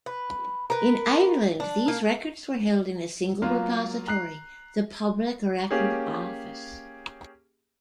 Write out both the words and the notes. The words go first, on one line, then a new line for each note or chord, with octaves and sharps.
In Ireland, these records were held in a single repository, the Public Record Office.
B4
A#4 B4
D4
A#3
F#3 A#3 F4
A#5 F#6 C7
A#3 C#4 G4 G#4